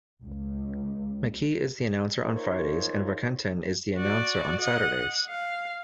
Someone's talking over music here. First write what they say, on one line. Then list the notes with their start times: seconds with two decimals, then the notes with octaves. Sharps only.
McKee is the announcer on Fridays and Warkentin is the announcer on Saturdays.
0.24 C#2
2.22 D#4 F4 G#4 A#4 C5 C#5
3.95 F#4 D5
4.60 D#5 F#5
5.29 F5